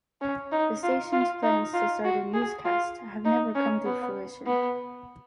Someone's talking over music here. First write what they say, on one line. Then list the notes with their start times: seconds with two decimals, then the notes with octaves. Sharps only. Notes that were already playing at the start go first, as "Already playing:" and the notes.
The station's plans to start a newscast have never come to fruition.
0.21 C#4
0.52 D#4
0.83 F4
1.12 F4
1.43 D#4
1.73 F4
2.04 F#4
2.33 G#4
2.64 F4
3.25 D#4
3.55 C#4
3.85 B3
4.47 B3